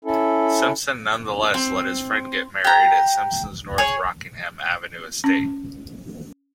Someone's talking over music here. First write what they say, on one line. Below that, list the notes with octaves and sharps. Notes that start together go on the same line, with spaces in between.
Simpson nonetheless let his friend get married at Simpson's North Rockingham Avenue estate.
C#4 E4 A4
C4
G4 A#5
G#4 C#5
C#4